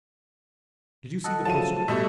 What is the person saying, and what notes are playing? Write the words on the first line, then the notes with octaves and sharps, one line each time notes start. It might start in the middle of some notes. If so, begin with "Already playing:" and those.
"Did you see the postscript?"
A4 D#5 F#5
F3 F#3 A3 A5 D#7
B2 G3 A3 E5